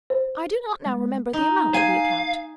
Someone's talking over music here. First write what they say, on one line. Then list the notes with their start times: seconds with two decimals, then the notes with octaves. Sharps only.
"I do not now remember the amount of the account."
0.10 C5
0.86 G#3
1.33 D#4
1.74 F5 G#5